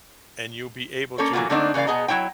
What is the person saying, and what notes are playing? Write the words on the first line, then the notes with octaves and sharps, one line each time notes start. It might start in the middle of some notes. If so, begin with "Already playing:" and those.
and you'll be able to
A#3 C#4 A4 C#5
E3 F#3 G#3 A#3 B3 F4
D3 A3 A#3 C4 D4 D#4
C#3 E3 A#3 D5 F5
B2 B3 G#4 D#5 A#5
F#3 C4 E4 C#5 G5